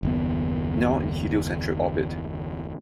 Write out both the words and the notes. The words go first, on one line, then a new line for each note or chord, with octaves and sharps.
Now in Heliocentric orbit.
F#1 D#2 B3